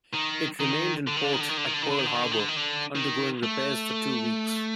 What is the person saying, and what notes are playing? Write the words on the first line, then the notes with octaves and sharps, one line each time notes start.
It remained in port at Pearl Harbor undergoing repairs for two weeks.
D#3
D#3
D3
D#3
D3
D#3
D3
D#3
D3
D#3
D3
D#3
D3
D#3
D3
D#3
D3
D#3
D3
D#3
D3
D#3
A3